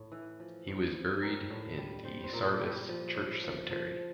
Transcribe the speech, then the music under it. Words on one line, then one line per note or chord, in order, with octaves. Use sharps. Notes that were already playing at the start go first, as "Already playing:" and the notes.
He was buried in the Sardis Church Cemetery.
Already playing: A2
E3
F3
G2
F3
G3 A#4
A2
G3
G3 C5
C5
A#2 A#4
A4
G3
F3
A2
F3
F3